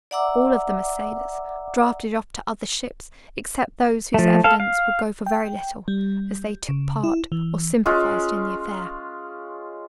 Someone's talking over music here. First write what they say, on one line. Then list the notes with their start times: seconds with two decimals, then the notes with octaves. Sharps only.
All of them are sailors, drafted off to other ships, except those whose evidence would go for very little, as they took part, or sympathised in the affair.
0.11 D5 E5 F#5 A#5 D6 E6
4.14 F3 A3
4.44 A4 F5
4.60 F5
5.26 G5
5.88 G3
6.69 C#3
7.04 E4
7.32 E3
7.86 G#3 C#4 F4